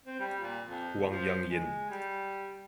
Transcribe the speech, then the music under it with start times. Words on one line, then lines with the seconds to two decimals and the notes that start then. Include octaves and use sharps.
Huang Yang Yin.
0.06 C4
0.20 G3
0.40 A#2
0.67 F2
1.08 F3
1.46 G#3
1.90 G3